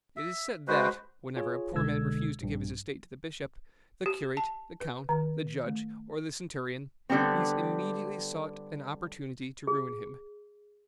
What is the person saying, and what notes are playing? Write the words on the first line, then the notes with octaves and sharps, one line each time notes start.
It is said that, whenever a poor man refused to give his estate to the bishop, the curate, the count, the judge, or the centurion, these immediately sought an opportunity to ruin him.
E5
G#3 F#4 B4 C5
F4 G#4 C#5
C2 B2 D3 G#3 E6 G#6
A#1 G2
G4
A5
B4
D#3
A3
D3 G3 B3 C4
G#4